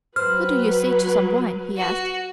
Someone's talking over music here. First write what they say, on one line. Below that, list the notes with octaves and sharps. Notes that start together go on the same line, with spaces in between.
"What do you say to some wine?" he asked.
F#3 C4 B4 F6
F#4